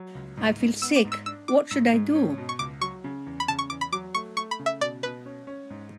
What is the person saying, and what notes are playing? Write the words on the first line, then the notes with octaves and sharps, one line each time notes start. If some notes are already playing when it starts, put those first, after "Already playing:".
I feel sick, what should I do?
Already playing: F#3
C#2
G#2
G#2
B3 E6
D6
G#2
E6
D4 E6
D4 D6
G#2 E6
G#2
C#4
B2
C#6
C#2 D6
F#3 C#6
C#3
E2
B5
C#3 A5
C#6
E2 D6
B5
F#3 D6
A3 C#6
A3 C#6
B5
C#3
E5
B2 D5
B2 B4
C#4
C#4
G#2